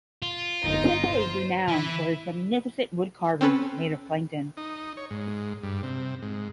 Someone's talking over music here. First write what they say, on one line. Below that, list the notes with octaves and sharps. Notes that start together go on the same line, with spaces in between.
The temple is renowned for its magnificent wood carvings made of plankton.
F4
G1 D#4
C5
E3 E4
C4 C#4 A4 B4
D#4
C#5
G#2
G2
C3
G#2